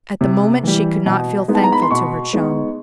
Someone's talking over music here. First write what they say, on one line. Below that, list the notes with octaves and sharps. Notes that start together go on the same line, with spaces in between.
At the moment she could not feel thankful to her chum.
C3
E3 G3
B2
G#3 B3 D#4
A5
A#5
B5
C6
B2 C#6
G#3 B3 D#4